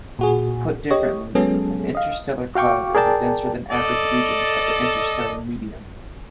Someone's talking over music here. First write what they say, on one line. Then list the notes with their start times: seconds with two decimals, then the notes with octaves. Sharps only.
Put differently, an interstellar cloud is a denser-than-average region of the interstellar medium.
0.19 A#2 F#4 G#4
0.90 G4 C#5 D#5
1.35 F#3 G#3 B3 C#4 G#4 A4
1.95 D#5 F5
2.55 F#4 F5 G5 C#6 D6
2.95 G#4 A#4 D5 G5 A5
3.70 A4 D5 D#5